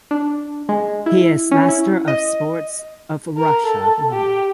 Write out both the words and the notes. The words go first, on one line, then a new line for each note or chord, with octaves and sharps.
He is Master of Sports of Russia.
D4
G#3
E4
C#4
E4
D#5
A#4
A4
G4